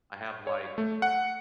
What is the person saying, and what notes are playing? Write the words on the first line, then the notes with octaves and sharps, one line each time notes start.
I have like,
C#5
A3
F#5